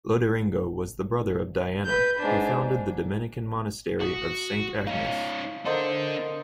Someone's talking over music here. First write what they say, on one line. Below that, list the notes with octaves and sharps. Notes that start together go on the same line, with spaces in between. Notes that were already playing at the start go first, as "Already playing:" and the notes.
Loderingo was the brother of Diana, who founded the Dominican Monastery of Saint Agnes.
B4 G6
G#2 D4
F#4 D#6
C#4 D#4 F5
D4 A4 A#4 C5 D#5